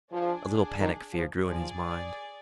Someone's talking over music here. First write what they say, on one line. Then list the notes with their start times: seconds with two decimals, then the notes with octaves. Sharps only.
A little panic-fear grew in his mind.
0.11 F3 D4 G#4 D5
0.79 D#3
1.13 F3
1.46 F3 G#4 D5 G#5